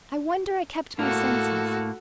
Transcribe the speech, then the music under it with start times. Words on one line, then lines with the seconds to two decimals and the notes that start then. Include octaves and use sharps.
I wonder I kept my senses.
0.99 A2 A#3 F#4 A4